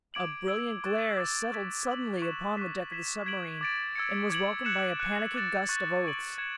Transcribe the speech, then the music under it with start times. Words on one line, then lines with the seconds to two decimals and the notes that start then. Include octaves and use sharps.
A brilliant glare settled suddenly upon the deck of the submarine, and was welcomed by a panicky gust of oaths.
0.14 D6 G#6 D7 F#7
0.48 E6 G#6 D7
0.84 C#6 F#6 A6 E7
1.17 D6 A6 E7
1.52 C#6 E6 G#6 B6
1.87 E6 G#6 D7 F#7
2.22 C#6 F#6 B6 E7
2.57 C#6 F#6 B6
2.91 G#6 B6 E7
3.26 G#6 B6 D7 F#7
3.61 D6 A6 D7
3.95 E6 G#6 C#7
4.30 D6 G#6 D7 F#7
4.65 F#6 C#7 E7
5.00 F#6 C#7 E7
5.34 D6 F#6 A6
5.69 C#6 F#6 A6
6.05 C#6 G#6 D7 F#7
6.38 G#6 C#7 E7